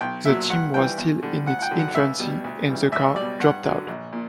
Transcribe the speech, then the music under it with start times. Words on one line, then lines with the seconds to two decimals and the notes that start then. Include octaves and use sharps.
The team was still in its infancy, and the car dropped out.
0.01 B1 G5
0.25 A#2 F#3 E5
0.50 G2 F#5
0.74 E3 G3 G5
0.98 E2
1.23 D3 G3
1.46 D2 F#5
1.59 F#5
1.62 G5
1.71 D3 F#3
1.79 F#5
1.95 C#2 E5
2.19 B2 G3
2.44 D2
2.68 C#3 E3 G3
2.92 C#2 E5
3.16 B2 G3 D5
3.40 G2 F#5
3.64 D3 F#3
3.88 A#1
4.13 A#2